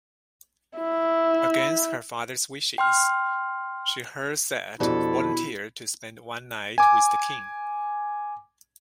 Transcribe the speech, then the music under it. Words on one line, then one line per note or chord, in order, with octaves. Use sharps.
Against her father's wishes, Scheherazade volunteered to spend one night with the king.
E4
G5 C6 F6
F2 B2 G3 D4 E4 A4
G#5 D6